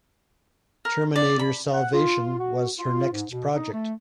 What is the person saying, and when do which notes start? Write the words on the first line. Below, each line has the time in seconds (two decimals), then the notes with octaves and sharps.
"Terminator Salvation" was her next project.
0.85 A#4
1.16 D5
1.39 B5
1.74 F#5
1.93 F4
2.39 F#4
2.78 F4
3.12 G#2
3.30 B2
3.55 D#4
3.71 A3